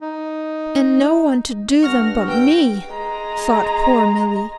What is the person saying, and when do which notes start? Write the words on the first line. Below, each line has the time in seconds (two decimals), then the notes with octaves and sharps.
"And no one to do them but me," thought poor Milly.
0.01 D#4
1.82 G2 F#5 C#6 F6 A#6
2.28 B4 G5
2.90 G#3 A#5